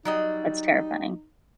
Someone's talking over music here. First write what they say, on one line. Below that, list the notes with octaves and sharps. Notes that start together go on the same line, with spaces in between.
That's terrifying.
F#3 G3 D#4 D#5